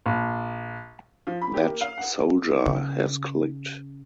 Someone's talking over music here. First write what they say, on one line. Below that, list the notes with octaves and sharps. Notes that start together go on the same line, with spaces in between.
That soldier has clicked.
A#1
F3
B5
G4
A#3
F5
F#5
C#3